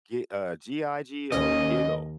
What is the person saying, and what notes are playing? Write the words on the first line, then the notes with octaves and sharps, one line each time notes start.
g uh, G-I-G-O, GIGO.
D#2 C#4 D#5